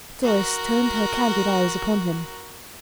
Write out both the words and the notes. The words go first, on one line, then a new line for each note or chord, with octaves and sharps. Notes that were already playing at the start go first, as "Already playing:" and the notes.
Doris turned her candid eyes upon him.
F#4 A#4